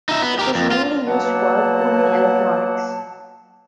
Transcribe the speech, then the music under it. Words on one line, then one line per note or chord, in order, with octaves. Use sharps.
It is mainly used for cooling electronics.
D#4 E5
B3
G4 A#4
F2
F4
B2 F#3 A#3 F#5 A5